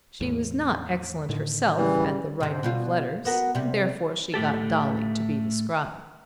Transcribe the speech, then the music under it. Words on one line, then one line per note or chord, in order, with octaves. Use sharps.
She was not excellent herself at the writing of letters, and therefore she got Dolly to be the scribe.
E2 A2
A2 D3 D#3
C#3 E3 G3
G#2 C3
B2 G3 F4
B3 F#4 A#4
C3 G3
A2 A3 G4 A4